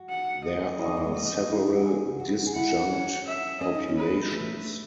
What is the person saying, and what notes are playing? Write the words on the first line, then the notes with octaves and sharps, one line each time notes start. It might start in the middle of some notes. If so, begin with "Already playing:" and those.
There are several disjunct populations.
Already playing: F#4
F#5
D#5
E4 D#5
D#4
E4
G#3
A3 D#5
B3
C#4
E4
D#4
E4
F#4
G#4
F#4
E4
F#4
G#4
E4 F#5
C#4
E5
C#4 D#5
D#4
C#4
B4
A3 B4